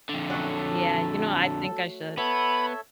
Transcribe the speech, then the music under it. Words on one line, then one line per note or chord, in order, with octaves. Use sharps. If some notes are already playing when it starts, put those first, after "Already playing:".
Yeah, you know, I think I should.
F2 D3
F#3 A3 C#4 F#5
A4
B3 A4 C#5 E5 B5